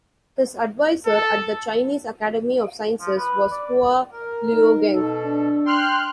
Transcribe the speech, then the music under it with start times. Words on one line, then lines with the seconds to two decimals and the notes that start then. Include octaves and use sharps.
His advisor at the Chinese Academy of Sciences was Hua Luogeng.
1.06 A4
3.01 F3
3.17 B4
3.51 D5
4.12 A#4
4.53 D#4
4.94 B2 A4
5.25 D4
5.66 G5 C6 F6 F#6